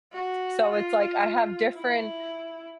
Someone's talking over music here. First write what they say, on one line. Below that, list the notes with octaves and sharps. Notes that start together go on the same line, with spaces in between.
So, it's like, I have different
F#4
F4
E4